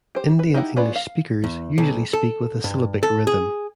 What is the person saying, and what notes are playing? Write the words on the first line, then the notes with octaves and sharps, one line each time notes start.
Indian-English speakers usually speak with a syllabic rhythm.
G4 C5
B4
D#4 E4 G4 D#5 F#5
B3 C#4 F4 B4 D5
F5
E2
B1
A4
G2
A4
G#4